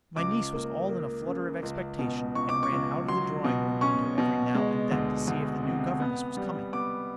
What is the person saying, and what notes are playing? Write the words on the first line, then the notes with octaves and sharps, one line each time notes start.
My niece was all in a flutter of expectation, and ran out of the drawing-room window every now and then to see if the new governess was coming.
C#2 D6
A#3
A#3
C#3
C#2
B2
C#2 C#6
D6
C#6
C#2
F#3 C6
B2
C#4 C#6
B2
G#3
D2
D2
C3
B3
G3
B3 D6